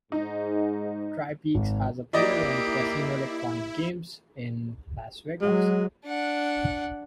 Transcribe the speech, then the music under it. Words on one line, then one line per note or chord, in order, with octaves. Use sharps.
TriPeaks has appeared on casino electronic games in Las Vegas.
G#2 D#4
G#1
A#3 D#4 E4 G4 D5 D#5
F#3 G#3
D4 F#5